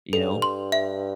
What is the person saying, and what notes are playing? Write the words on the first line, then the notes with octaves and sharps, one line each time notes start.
You know,
G2 A4
C6
E5